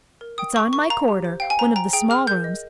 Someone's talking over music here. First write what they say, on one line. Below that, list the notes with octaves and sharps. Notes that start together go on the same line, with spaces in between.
It's on my corridor--one of the small rooms.
A#4
G5 D#6
G5 C#6
A#4 C#6
F5 A#5
G4
C5
F5 G5
G#5
C5 A#5
G5 A#5
G#4 G5
G#4 F6
A#4 G6
D#5